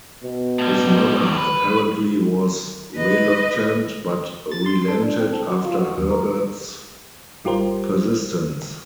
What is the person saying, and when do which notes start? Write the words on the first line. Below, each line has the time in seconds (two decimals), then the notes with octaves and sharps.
His mother apparently was reluctant but relented after Hebert's persistence.
0.24 B2
0.59 A2 G3
1.37 B4
2.96 B4 D#5
4.52 A6
4.66 C6
4.88 A4
5.04 D4
5.19 C4
5.33 A4
5.49 F#4
5.65 F4
5.79 F#4
5.97 D#2
6.10 A#4
7.45 G#1 G3 F4 G4 A#4 C5